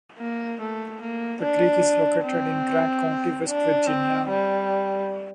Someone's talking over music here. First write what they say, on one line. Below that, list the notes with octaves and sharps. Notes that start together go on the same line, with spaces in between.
The creek is located in Grant County, West Virginia.
A#3
A3
A#3
D4
C4
D4
C4
G3